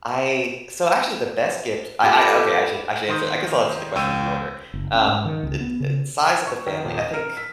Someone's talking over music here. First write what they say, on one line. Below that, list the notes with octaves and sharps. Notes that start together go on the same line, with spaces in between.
I so actually the best gift, I I okay, I should I should answer I guess I'll answer the questions in order. Um, eh eh, size of the family, I think,
F4 G4 A4 B5
D#3 C6 D#6 G6
C#2 G5 C#6 E6 D#7
F#1
C#4
G#2
D#3
C#2
B3
C#3
G#6
C#6
D#3
D#1
D#5
A#4
B6